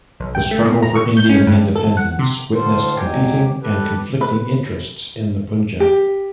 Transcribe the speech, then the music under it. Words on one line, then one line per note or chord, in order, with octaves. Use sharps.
The struggle for Indian independence witnessed competing and conflicting interests in the Punjab.
B1
G5
A3
B2
A#5
C#6
G6
C#4
G2
A4
F#5
C3
D2 A2 D3 F4 A4 C5
E2 G#2 F#3 G4 G5 G#5
G4 A4 B4
B4
G4